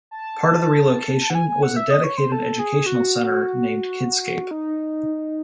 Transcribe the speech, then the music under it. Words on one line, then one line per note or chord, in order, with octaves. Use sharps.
Part of the relocation was a dedicated educational centre, named Kidscape.
A5
A5
F#5
G#5
G#5
F#5
E5
D#5
C#5
C5
A4
G#4
F#4
D#4